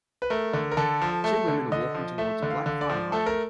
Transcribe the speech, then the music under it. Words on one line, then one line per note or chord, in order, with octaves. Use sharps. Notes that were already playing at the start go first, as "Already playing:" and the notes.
Two women are walking towards a black fire hydrant.
B4
A3 A#4
D3
A#4
D3 A4
F3
A3 A4
D3
D3 D#5
F3
A3 E5
D3
F5
D3
D5
F3
A3 A4
A#4